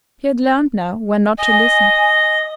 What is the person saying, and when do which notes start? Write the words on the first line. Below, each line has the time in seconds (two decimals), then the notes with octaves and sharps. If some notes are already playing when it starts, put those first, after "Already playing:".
She had learned now when not to listen.
1.38 D#5 G#5